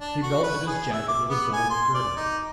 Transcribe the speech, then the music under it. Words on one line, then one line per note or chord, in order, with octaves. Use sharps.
He belted his jacket with a gold girdle.
D4
F#4
B4
G#4
E5
D6
B3
G#5
C6
D5
D#4